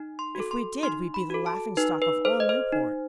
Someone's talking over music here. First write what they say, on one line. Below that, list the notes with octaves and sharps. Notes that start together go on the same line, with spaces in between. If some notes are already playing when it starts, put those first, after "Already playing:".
If we did we'd be the laughing-stock of all Newport.
Already playing: D#4
C6
F#4 A4
C6
D#4 C6
B5
F#4 A4
A5
D#4 B4
B4
A4 C5
D#5
C5
D#4